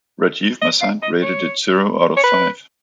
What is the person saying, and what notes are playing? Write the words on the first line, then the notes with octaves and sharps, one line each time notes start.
Rajeev Masand rated it zero out of five.
D#5
F5
D#5
C#5
C#5
B4